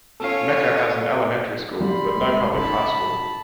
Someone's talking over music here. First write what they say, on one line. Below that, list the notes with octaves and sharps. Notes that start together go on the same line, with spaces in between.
Mecca has an elementary school, but no public high school.
C#4 F4 A4 C#5 F5
G3 B5 C6
G#3 C4
C#3 D#4 A5 B5